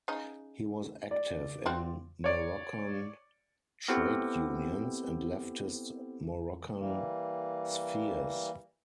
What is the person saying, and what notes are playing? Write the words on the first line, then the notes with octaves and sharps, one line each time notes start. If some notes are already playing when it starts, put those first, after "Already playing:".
He was active in Moroccan trade unions and leftist Moroccan spheres.
C#3 D#4
D5
C4 F4 F#4
C#5 D5
B3 C4 E4 G4 A4 C5
E3 G3 A#3